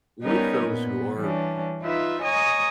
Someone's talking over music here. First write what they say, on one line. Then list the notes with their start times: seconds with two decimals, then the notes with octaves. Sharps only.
with those who are
0.22 G3 B3 C#4 D#4 A#4 C#5
0.66 A#2 B3
1.18 E3 G3 C#4 D4
1.82 D#4 F4 B4 E5
2.22 C#5 D#5 G#5 A#5 C#6 D#6